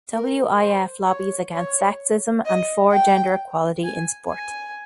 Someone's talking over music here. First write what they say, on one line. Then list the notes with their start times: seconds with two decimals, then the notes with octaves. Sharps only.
WiF lobbies against sexism and for gender equality in sport.
0.15 A#4
0.61 C5
1.06 C#5
1.53 C#5
2.45 D#5
2.91 G5
3.84 G#5
4.30 G#5